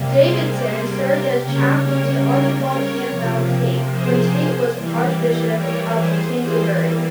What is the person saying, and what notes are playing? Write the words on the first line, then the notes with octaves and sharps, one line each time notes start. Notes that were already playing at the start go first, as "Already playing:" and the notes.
Davidson served as chaplain to Archibald Campbell Tait when Tait was Archbishop of Canterbury.
Already playing: C3 G3 A#3
G#4 C5
G#4 C5
G4 A#4
C#3 G3 A#3 A#4 C#5
A#4 C#5
A#4 C#5
A#4 C#5
C3 F3 A#3
G#4 C5
E3 G3 A#3
A#4 C#5
G#4 C5
E3 G3 A#3 G#4 C5